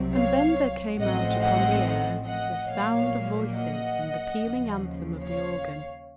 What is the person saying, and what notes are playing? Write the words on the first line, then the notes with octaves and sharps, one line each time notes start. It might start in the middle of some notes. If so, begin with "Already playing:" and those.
And then there came out upon the air the sound of voices and the pealing anthem of the organ.
Already playing: C2 C3 F#3 C4
C#5 F5
A1 A2 F3 A3 C4 D#5 F#5
D#5 F#5
D#5 F#5
A#1 A#2 F#3 A#3 C#5 F5
D#5 F#5
D#2 C#3 F3
C#5 F5